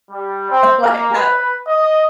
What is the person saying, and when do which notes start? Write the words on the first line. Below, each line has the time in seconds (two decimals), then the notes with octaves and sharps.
like, have
0.11 G3
0.51 C4
0.82 A#3
1.16 B4
1.68 D#5